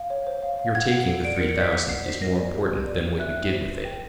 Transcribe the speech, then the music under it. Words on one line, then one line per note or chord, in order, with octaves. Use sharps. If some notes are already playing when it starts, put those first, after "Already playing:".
Your taking the three thousand is more important than what you did with it.
Already playing: F5
C#5
C5
F5
F5
F#5 G#6
F#5
A4
D5 D7
C#7
A#4
C#7
D5 B6
F#5 B6
D#5 C7
C5 B6
A#4 A#6
D5
G4
B4
D5
B4
E5 F#6
G5
C5
B4
G5